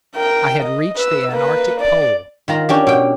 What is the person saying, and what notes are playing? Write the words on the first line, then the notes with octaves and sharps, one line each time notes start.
I had reached the antarctic pole.
A#4 G5
D#5
B4 E6
A#3 B4
D5
D#3 F4 A#5
C#4 D4 G4
B2 G5